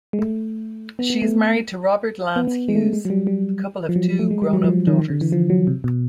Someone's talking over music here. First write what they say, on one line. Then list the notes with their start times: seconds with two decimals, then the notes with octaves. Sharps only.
She is married to Robert Lance Hughes; the couple have two grown up daughters.
0.13 G#3
0.19 A3
0.99 B3
1.10 B3
1.22 A3
2.36 B3
2.47 B3
2.68 G#3
2.75 A3
2.93 G#3
3.05 F#3
3.10 G3
3.27 G3
3.89 F3
3.96 F#3
4.19 A3
4.31 G#3
4.42 G3
4.53 F#3
4.64 F3
4.87 D#3
4.99 D#3
5.10 D3
5.21 E3
5.32 F3
5.50 F#3
5.67 C3
5.84 B2